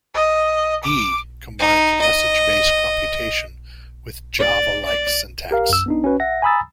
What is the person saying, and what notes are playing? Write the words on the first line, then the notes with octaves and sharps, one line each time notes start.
E combines message-based computation with Java-like syntax.
D#5
D6
D#4
D#5
D5
D5
G4 A#4 F5
F#2 E6
B3 D4 D#4
C#4 F#4 B4
E5 F#5 A#6
G#5 A#5 B5 D#6 E6 A6